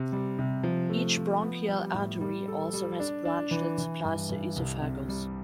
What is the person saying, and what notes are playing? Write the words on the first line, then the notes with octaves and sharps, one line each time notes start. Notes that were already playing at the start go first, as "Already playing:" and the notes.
Each bronchial artery also has a branch that supplies the esophagus.
Already playing: C3
G3
C3
F3
A3
F3
B3
G3
A2
G3
A4
G3
D4
D4
E3
E3
G2
G2
C2
C3
G3